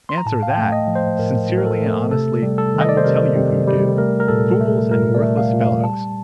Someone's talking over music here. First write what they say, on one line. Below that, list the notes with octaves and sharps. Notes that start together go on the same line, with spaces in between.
Answer that, sincerely and honestly I will tell you who do: fools and worthless fellows.
C6
A#5
A2 A5
F5
G5
A3
D#5
F3
C5
A2 A#4
A2
A#4
A4
A3
C3 A4
G3
A4
D#3
D#5
D5
C5
C3 A#4
C3
G3
A3 A#4
A#4
A#2 A4
A3
A#2 A#4
D5
A3
F5
A#2
F5
G3 A5